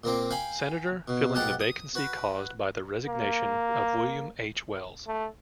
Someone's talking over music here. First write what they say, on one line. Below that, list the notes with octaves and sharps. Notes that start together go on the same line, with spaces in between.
Senator, filling the vacancy caused by the resignation of William H. Wells.
A#2 A#3 C4 D6
F5 G5 G#5 B5
B2
B1 G#2 G4 F#5 A5
D#6
F#4 B4
A#3
A3